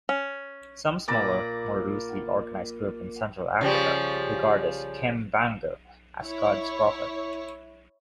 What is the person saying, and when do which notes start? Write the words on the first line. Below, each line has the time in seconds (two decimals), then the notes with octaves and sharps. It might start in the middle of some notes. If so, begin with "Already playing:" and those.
Some smaller, more loosely organised groups in Central Africa regard Kimbangu as God's prophet.
0.09 C#4
1.08 A#2 D5 A#5 B5
3.61 C#3 F3 G3
6.25 E4 C#5